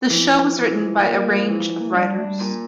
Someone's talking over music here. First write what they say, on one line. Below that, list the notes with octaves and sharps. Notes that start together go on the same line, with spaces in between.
The show was written by a range of writers.
E3 F3
E3
A#3
E3
A#3
A3
G3 D4
A3
G3
A#2